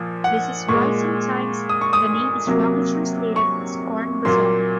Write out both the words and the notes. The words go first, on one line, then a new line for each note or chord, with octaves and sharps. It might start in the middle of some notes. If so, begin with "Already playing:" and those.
This is why sometimes the name is wrongly translated as "Corn Bazaar".
Already playing: A#2 F3
F#5
A#2 G#3 C#6
D#6
C#6
D#6
C3 F#3 A#3
C#6
A#2 F#3 A#3 C6